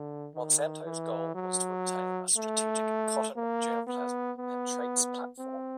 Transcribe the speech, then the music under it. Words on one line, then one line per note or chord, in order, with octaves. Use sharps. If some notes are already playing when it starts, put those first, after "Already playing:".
Monsanto's goal was to obtain a strategic cotton germplasm and traits platform.
Already playing: D3
D#3
E3
F#3
A3
A#3
B3
B3
C4